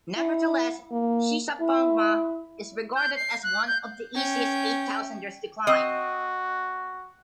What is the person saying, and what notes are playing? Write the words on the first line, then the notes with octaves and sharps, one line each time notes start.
Nevertheless, Shishapangma is regarded as one of the easiest eight-thousanders to climb.
E4
A#3
E4
G6
C7
F#6
G6
C#4 G5
C4 F#4 D#5